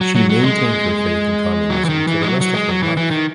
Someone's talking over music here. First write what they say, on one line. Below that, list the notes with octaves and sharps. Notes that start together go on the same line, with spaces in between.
She maintained her faith in communism for the rest of her life.
F#3
F#3
F#3
G#3
F#3
E3
D#3
E3
G#3
F#3
F#3
G#3
F#3
E3
E3
D#3